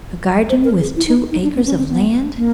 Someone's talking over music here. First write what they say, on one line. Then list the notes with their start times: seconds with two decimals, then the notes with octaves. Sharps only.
"A garden with two acres of land!"
0.49 C5
0.64 A#4
0.80 G#4
0.96 E4
1.07 D#4
1.31 D#4
1.43 D4
1.55 C4
1.66 C#4
1.77 C4
1.90 B3
2.37 A#3